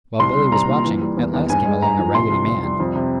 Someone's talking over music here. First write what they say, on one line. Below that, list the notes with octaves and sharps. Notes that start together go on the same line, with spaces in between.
While Billy was watching, at last came along a raggedy man.
C2 C6
G3
C2 A#5
A#2
E3
G3
E2
E2
G2 G#5
G#3
G2 A#5
F3
C2 C6
C2
C2
G3
F2
C3